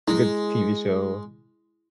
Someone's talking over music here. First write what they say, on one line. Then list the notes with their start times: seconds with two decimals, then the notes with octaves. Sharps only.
a good TV show,
0.08 G#3 E4